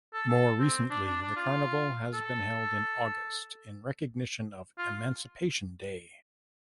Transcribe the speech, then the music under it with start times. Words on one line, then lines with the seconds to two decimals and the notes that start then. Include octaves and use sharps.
More recently the carnival has been held in August in recognition of Emancipation Day.
0.14 A4
0.29 A4
0.60 C4
0.90 D4
1.06 D4
1.22 D4
1.37 F4
2.14 A4
4.78 F4